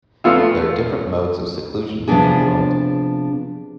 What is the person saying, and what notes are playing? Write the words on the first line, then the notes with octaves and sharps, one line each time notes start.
There are different modes of seclusion from the world.
F2 A3 B3 F4 E5
C3 F3 B3 C#4 D4 G#4